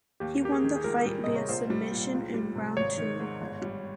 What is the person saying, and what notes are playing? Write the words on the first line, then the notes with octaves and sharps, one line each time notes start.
He won the fight via submission in round two.
D#2 G4
A#3 G4
G#4
D#3
G#4
C#2 A#4
G3
C3 D#5
C#5
A#1 C5
G3
A#2
C#2
G3
C3
G#1 C#5
D#3
G#2
G1
G3